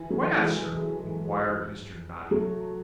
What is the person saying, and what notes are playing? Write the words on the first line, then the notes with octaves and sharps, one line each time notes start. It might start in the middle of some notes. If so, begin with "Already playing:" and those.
'Why not, Sir?' inquired Mr. Noddy.
Already playing: E3
F#3 A3
E3 G#3
F#3 A3